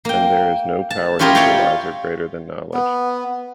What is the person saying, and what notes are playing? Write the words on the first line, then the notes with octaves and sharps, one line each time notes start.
And there is no power-equalizer greater than knowledge.
A#3 G5
A5
C#4 E4 F4 G4 G#4 A#4
F4 G4 C#5 D5 F5 G5
B3